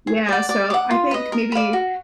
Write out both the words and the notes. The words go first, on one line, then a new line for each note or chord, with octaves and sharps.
yeah, so I think maybe
G#4
D5 F#5
D5
F#5 D6
F4
B4 D#5
A#4
D5 F5 B5
F#4